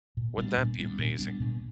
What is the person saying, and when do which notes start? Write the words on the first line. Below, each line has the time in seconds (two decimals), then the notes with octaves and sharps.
Wouldn't that be amazing?
0.17 A#2
0.38 G3 B3 D4
0.58 A#2
0.79 G3 B3 D4
0.99 A#2
1.19 G3 B3 D4
1.40 A#2